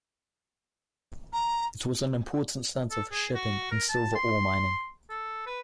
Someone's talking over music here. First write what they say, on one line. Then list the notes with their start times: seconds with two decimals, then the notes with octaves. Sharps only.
It was an important center for shipping and silver ore mining.
1.33 A#5
2.91 A4
3.11 G#4
3.35 F#4
3.71 A#4
3.89 A5
4.15 C6
5.09 A4
5.46 B4